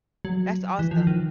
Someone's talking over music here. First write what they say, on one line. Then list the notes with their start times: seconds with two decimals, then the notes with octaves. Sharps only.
That's awesome.
0.25 F#3
0.79 E3
0.91 F3
1.07 D#3